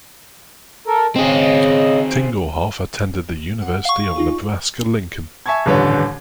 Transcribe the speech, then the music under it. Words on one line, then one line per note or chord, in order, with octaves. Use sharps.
Tingelhoff attended the University of Nebraska-Lincoln.
A4 A#4
C#3 C4 G#4 D#5
F#5
F5 C#6
D#4 F4 G#4
E5 G#5 A5 C#6 G#6
D#1 A1 G2 D3 B4 C#5